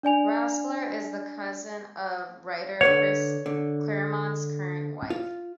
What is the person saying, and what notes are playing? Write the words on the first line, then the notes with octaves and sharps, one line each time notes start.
Raspler is the cousin of writer Chris Claremont's current wife.
D4 D5 G#5 F7
D3 B4 C#5 F#5
D3
F4